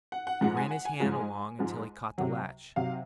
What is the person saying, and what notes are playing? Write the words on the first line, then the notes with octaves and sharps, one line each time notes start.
He ran his hand along until he caught the latch.
F#5
F#5
G#2 F3 G#3 F#5
G#5
F#5
G#5
G#2 F3 G#3
G#2 F3 G#3
C3 F#3
C3 F#3 F5